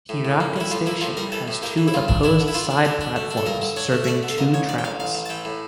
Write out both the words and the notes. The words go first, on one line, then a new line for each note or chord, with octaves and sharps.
Hiraka Station has two opposed side platforms serving two tracks.
A2
A2
A#3
G3 E4
A2 F4
A#3 E4
A2 F4
G3 A#4
E3 A4
A2
A#3 G4
E3
E4
G2 F4
D4
D4 E4
D3
E4
D4 F4
D4
D3 G4
D4
A3
D4
A4
G2 A#4
D3
D4 C#5
A3
E5
A3 D5
D3
A4
A1 A#4
A1 C#5
A1 D5
G5
A1 F5
A1 F5
A1
A5
E3 G5
A2